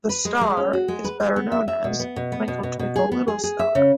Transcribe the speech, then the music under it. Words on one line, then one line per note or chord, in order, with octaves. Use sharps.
"The Star" is better known as "Twinkle Twinkle Little Star".
B4
G#3
G#3
C#4
F#4
G#3
B4
G#4
B3
E5
E5
B2
B3
B2
B3
B2
B2
B2
G#4
B3
G#4
G#4
E5
C#3